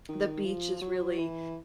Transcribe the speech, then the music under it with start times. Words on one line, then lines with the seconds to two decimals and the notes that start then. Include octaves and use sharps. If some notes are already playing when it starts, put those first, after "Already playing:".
the beach is really,
0.09 D#3
0.45 F3
0.82 F#3
1.19 E3